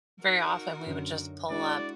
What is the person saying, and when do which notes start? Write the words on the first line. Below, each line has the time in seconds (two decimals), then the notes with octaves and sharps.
Very often, we would just pull up
0.21 D#4 F#4 A#4
0.86 F#2 D3
1.50 G#3 D4 E4 F#4 D5